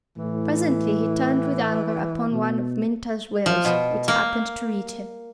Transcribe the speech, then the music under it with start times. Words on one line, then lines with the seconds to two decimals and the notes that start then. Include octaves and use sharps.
Presently he turned with anger upon one of Minta's wails which happened to reach him.
0.18 A2 E3
2.31 B2
3.46 F3
3.65 B2
4.08 A#3